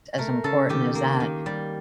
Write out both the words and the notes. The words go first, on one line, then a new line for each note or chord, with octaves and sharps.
as important as that.
A3 A#4
C#3 A4
D#3 G4
A#3
D#3
G3